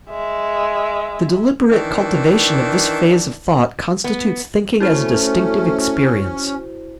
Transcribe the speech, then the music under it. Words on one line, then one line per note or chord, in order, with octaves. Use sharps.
The deliberate cultivation of this phase of thought constitutes thinking as a distinctive experience.
G#3 E5
D#3 E3 D4
B3
A3 C#4 E4 F#4 C5